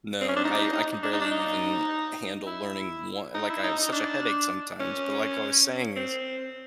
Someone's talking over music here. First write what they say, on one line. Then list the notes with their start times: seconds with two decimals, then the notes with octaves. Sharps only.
No, I I can barely even handle learning one like, I have such a headache sometimes, but, like I was saying is
0.21 C4
0.29 C#4
0.36 D4
0.44 D#4
0.59 D#4
0.73 D#4
1.03 D4
1.13 D#4
1.21 D4
1.32 D#4
2.47 E4
3.34 D#4
3.49 E4
3.64 D#4
3.79 D#4
3.93 D4
4.80 C#4
5.96 C4